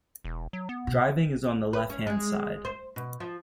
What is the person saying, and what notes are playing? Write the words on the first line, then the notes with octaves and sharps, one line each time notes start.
Driving is on the left-hand side.
E1
F#3
B3
B2
B4
C#4
G#3
C5
B2
F3